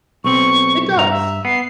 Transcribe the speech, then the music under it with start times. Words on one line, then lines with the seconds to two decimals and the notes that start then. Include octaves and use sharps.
It does.
0.24 B1 C4 C#6
0.96 G2 A#5
1.09 E5
1.45 B3 C7